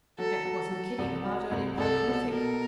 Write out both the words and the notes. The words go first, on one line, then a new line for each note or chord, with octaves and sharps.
Jack wasn't kidding about early Paleolithic.
F#3 A4
F#3
F#3 A4
C2
F#3
C2
C2 A4
B2
B2 A#4